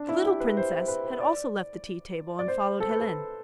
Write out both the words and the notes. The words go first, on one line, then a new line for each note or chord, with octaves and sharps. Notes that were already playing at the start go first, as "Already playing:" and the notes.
The little princess had also left the tea table and followed Helene.
Already playing: D4
E4
G4
B4
C5
C5
B4
C5
D5
D5
C5
A4
B4
A4